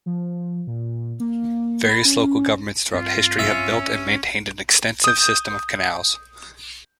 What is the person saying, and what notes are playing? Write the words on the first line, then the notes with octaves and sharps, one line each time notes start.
Various local governments throughout history have built and maintained an extensive system of canals.
F3
A#2
A#3
B5
C#4
G2 C4 F4
C#4 E5
D#6 G6